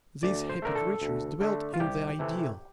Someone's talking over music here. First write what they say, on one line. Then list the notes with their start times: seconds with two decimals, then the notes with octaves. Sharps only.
These happy creatures dwelt in the ideal.
0.23 D2 D5
0.49 C5
0.62 D3 A3 A#4
0.75 A4
1.02 D2
1.41 D3 A3
1.74 F4
1.80 C2 G4
2.19 C3 E3 A3